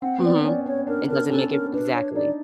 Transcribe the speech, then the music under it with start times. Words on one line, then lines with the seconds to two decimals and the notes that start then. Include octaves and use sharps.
Mhm. It doesn't make it Exactly.
0.02 C4 F#5
0.18 B3
0.23 C4 D5
0.45 C#4 D5
0.66 C#4 C#5
0.87 D4 A#4
1.08 D4 A#4
1.30 C#4 A4
1.51 C#4 A#4
1.73 D4 B4
1.94 C#5
2.15 D#4 D5